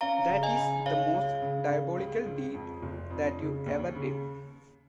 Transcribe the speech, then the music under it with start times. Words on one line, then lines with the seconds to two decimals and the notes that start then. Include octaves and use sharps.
That is the most diabolical deed that ever you did.
0.01 C#4 F5 A#5
0.29 C#3
0.43 D#5 G#5
0.57 C#3
0.85 C#3 C#5 F5
1.14 C#2
1.42 C#3
1.70 C#3
1.98 C#2
2.26 C#2
2.54 F2
2.82 F1
3.10 F2
3.38 C#3
3.66 D#2
3.95 C#3